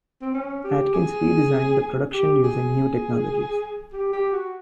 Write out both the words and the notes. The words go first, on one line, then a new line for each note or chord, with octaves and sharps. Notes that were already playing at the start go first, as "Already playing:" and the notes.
Atkins redesigned the production using new technologies.
C4
C#4
G4
G#4
G4
G#4
G4
G4
F#4